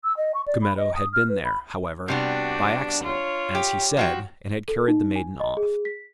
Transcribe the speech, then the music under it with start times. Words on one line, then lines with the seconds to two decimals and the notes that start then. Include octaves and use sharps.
Cucumetto had been there, however, by accident, as he said, and had carried the maiden off.
0.04 E6
0.17 D#5
0.34 C#6
0.46 D5
0.62 B5
0.77 D#5
0.95 D#6
1.13 F6
1.29 B4
1.44 B5
2.08 C3 G3 B3 D4 F#4
3.03 F4 C#5
3.55 G4
3.97 F3 F#4 G5
4.68 A4
4.88 D#4
5.16 G#5
5.40 D#5
5.57 G#4
5.85 B6